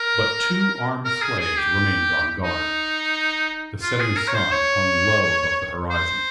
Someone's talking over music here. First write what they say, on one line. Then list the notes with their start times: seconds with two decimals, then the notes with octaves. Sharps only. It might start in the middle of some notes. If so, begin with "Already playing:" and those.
But two armed slaves remained on guard. The setting sun hung low above the horizon.
Already playing: A#4
1.05 A#4
1.22 G#4
1.40 G#4
1.57 G4
2.43 D#4
3.82 F4
4.00 G#4
4.17 A#4
4.28 C#5
4.35 C5
4.52 C#5
5.91 C5